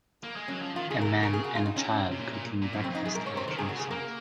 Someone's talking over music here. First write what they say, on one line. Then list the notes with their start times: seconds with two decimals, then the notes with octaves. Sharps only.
A man and a child cooking breakfast at a campsite.
0.24 A#3
0.36 G#3
0.48 F#3 C#4
0.62 F3
0.76 D#3 F4
0.90 C#3 G#4
1.01 A#4
1.05 C3
1.19 C#3 A#4
1.34 G#4
1.44 F#4
1.55 F4
1.66 D#4
1.76 C3 C#4
2.12 C3
2.19 A#2
2.33 A#2
2.62 A#2
2.73 C#4
2.76 F#2
2.84 C4
2.90 F2 D#4
3.05 F#2 G#4
3.15 A#4
3.20 G#2
3.26 C#5
3.34 C3 C5
3.48 D#3 A#4
3.56 C#3 G#4
3.64 C3
3.69 F#4
3.72 C#3
3.80 G#4
3.91 A#3 A#4